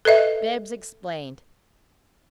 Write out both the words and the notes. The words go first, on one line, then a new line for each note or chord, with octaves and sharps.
Bibbs explained.
A4 B4 D#5 E5